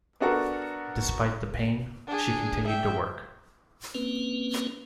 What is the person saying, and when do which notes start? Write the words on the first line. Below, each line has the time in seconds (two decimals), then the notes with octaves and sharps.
Despite the pain, she continued to work.
0.20 B3 D4 F#4 A4 A#4
2.07 D4 G#4
2.67 E5 G5
3.95 A#3 C4 C#4 B4